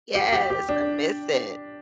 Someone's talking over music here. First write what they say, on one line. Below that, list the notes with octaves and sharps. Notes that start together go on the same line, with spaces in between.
Yes, I miss it.
G4
G4
G4
D4